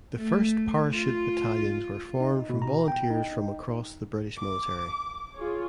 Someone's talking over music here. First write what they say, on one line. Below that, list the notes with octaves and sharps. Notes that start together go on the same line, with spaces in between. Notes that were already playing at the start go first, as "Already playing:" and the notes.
The first parachute battalions were formed from volunteers from across the British military.
A3
F4
D#4
B2
A#5
G5
D#4
D6
F4 G#4 C#5